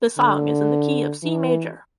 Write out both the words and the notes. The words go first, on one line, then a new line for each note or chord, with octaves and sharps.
The song is in the key of C major.
D3
E3